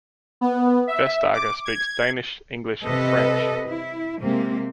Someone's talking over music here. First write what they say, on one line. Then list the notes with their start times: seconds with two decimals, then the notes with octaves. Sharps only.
Vestager speaks Danish, English and French.
0.41 B3
0.87 E5
1.33 D6
1.65 G#6
2.84 C3 A4 B4 D#5
3.67 E4
4.20 C3 G#3 A#3 C4